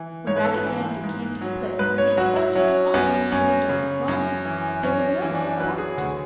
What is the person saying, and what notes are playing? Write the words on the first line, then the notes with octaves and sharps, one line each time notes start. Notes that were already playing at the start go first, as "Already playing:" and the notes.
When Raggedy Andy came to the place where he expected to find the penny dolls lying, they were nowhere about.
Already playing: E3
G#2 C#5
B4
A4
B4
E3
G#2
F#3
G#2 B4
C#5
F#3 F#4
E4
F#3 C#4
F#2 B3
F#2 C#4
C#3
F#2
E3
F#2 C#4
C#4
E3
D4
F#3 B4
G#4
D2 F#4